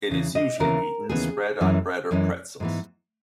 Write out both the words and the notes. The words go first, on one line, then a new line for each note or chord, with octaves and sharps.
It is usually eaten spread on bread or pretzels.
E2 C#3 E3
D#5
D#2 C#3 E3 B3 A#4
D#2 C#3 E3 B3 G#4
F#2 E3 G#3 C#4
F#2 E3 G#3 C#4
G#2 E3 B3